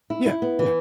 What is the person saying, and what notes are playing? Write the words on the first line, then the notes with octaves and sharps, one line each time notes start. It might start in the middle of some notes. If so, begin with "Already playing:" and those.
Yeah, yeah.
E4
E4
B3
E3